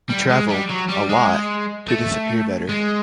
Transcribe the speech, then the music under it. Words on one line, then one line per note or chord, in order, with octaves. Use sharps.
He travelled, a lot, to disappear better.
G3
G#3
G3
F#3
G3
G#3
A3
G#3